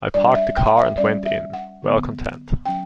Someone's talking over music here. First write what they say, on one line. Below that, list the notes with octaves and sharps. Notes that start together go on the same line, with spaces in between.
I parked the car, and went in, well content.
G3 D4 D5
E5
G5
E5
G3 C#4 D5
E5
F#5
D3 F#3 B3
F#3 C#4 G5